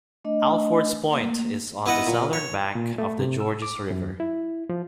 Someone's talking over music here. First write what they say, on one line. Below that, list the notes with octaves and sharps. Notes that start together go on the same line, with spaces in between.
Alfords Point is on the southern bank of the Georges River.
A3 D4 D#5
A3 A#3
B3 E4 B4 D#5 F#5
A#2
C#5
A#2
A3
C3
E6
D6
F#2
E4
F3